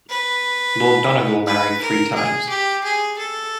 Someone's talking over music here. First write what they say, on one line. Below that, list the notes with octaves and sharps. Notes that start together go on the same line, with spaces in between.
Lord Donegall married three times.
B4
B4
A#4
G#4
G4
G#4
A4